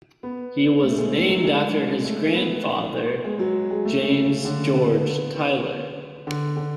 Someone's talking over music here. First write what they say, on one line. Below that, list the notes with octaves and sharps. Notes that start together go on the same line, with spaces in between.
He was named after his grandfather, James George Tyler.
B3
A3
G#3
A3
F#3
G#3
A3
B3
B3
G#3
F#3
G#3
A3
C#3
D3
B3
D3
D3